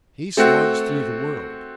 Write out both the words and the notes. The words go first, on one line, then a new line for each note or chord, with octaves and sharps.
He slogs through the world.
A3 C4 F#4